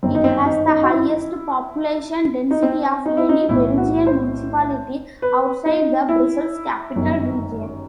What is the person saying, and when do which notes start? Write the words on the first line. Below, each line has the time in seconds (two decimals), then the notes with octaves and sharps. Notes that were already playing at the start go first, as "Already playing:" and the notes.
It has the highest population density of any Belgian municipality outside the Brussels-Capital Region.
0.03 G1 F#2 D#3 C4
0.15 D#4
0.24 C4
0.46 D#4
0.68 D#4
0.83 F#4
0.90 E4
2.51 D#4
2.63 C4
3.06 D#4
3.17 E4
3.29 D#4
3.49 B1 A2 E3 E4
3.78 F#4
4.07 C5
5.22 B4
5.66 D#4
6.08 E4
6.96 G1 F#2 D#3